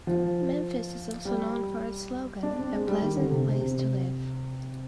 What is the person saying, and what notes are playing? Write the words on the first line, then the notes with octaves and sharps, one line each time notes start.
Memphis is also known for its slogan, A Pleasant Place To Live.
F3
G3
D4
C4
G#3
G3
D#3
D3
C3
C3
C3